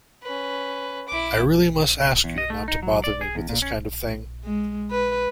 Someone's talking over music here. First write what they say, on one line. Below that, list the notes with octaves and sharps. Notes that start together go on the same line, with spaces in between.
I really must ask you not to bother me with this kind of thing.
C#4 B4
E4 D6
E2
D#5
A3
D#4
F#3
D5
G#4
E2
A#2
C#4
G#3
B4